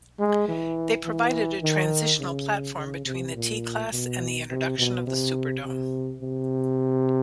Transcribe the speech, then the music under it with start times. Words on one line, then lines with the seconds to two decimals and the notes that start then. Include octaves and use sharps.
They provided a transitional platform between the T-class and the introduction of the Superdome.
0.20 G#3
0.48 E3
1.05 E3
1.63 D#3
2.20 C#3
2.78 C#3
3.06 C3
3.35 A#2
3.92 B2
4.50 C3
4.79 B2
5.07 C3
5.65 C3
6.22 C3